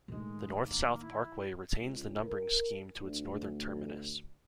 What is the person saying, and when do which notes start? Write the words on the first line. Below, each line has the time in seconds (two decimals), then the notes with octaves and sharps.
The north-south parkway retains the numbering scheme to its northern terminus.
0.08 A2 D#3 G#3
0.61 A#3
1.02 E4
1.82 C#2
2.23 A#4
2.99 D2